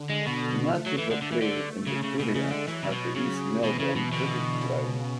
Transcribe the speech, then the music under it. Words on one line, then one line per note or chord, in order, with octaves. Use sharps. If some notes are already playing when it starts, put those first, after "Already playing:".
The matches were played in Victoria at the East Melbourne Cricket Ground.
Already playing: D3
G#3
B2 D3
A3
F#3
E3
D3
D3
E3
D3
A3
C#3
C#3
B2 G#3
C#3
D3
E3 F#3
C#3
B2
C#3
B2 E3
C#3
B2
B2 D3
C#3